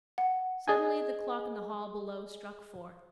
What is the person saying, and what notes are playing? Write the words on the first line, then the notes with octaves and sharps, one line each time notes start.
Suddenly the clock in the hall below struck four.
F#5
G#4 D#5 G#5